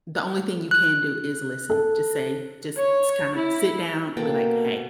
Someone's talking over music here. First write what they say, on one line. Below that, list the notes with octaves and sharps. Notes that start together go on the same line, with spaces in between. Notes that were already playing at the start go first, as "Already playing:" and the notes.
the only thing you can do is listen, just say just kinda sit down and be, like, "Hey,
F#6
A4
C#5
E4
B2 A#3 A4 G5